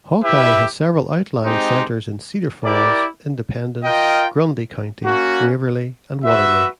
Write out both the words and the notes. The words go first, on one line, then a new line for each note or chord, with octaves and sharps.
Hawkeye has several outlying centers in Cedar Falls, Independence, Grundy County, Waverly, and Waterloo.
E4 G4 B4 E5
G#3 C4 D#4 G4 C5
E4 G4 A#4 D5
F4 A#4 D#5 G5
A#3 C#4 F#4
F#4 B4 E5